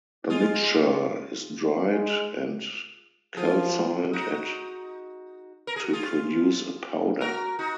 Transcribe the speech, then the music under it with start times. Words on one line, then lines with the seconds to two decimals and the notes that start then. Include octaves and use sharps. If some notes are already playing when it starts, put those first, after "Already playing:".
The mixture is dried and calcined at to produce a powder.
0.30 G#3 F4 G#4
1.83 G#3
3.37 F3 F4 G#4
4.13 D#4 F#4
5.67 A#4
5.76 G#4
5.84 F#4
5.93 F4 G#4
7.21 F#4 A#4
7.59 D#4 F#4